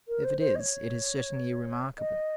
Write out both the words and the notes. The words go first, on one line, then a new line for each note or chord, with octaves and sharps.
If it is, it is certainly remarkable.
A#4
C5
C5
D#5
C#5
D#5